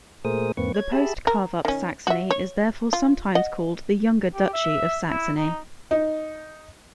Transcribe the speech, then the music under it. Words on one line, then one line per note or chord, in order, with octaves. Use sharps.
The post carve-up Saxony is therefore sometimes called the "younger Duchy of Saxony".
A#2 A3 G#4 A#4 C5 D#6
E2 G#2 A#3 C4 B4 C#6
C#5 G#6
G4 G#4 E5 A5 B5
A#4
D#3 C#4
F#4 E5
C#5
F4
D#5 F#5
G4
E5
E4
D#4
D#4